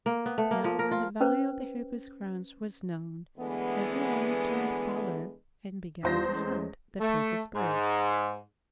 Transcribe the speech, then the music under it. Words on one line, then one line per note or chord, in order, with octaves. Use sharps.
Now when the value of the Hoopoes' crowns was known, every one turned fowler and began to hunt the precious birds.
A#3
B3
A3
A#3
F3
A#4
F4
C#4 B4 C5
D3 E3 G#3 A3 B3
E2 G3 F4 C5 A#6
G#3 A3 C#4
A3
G#2